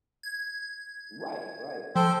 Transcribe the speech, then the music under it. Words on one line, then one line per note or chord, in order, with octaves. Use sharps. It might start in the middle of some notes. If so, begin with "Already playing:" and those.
Right, right.
G#6
F3 A4 C5 G5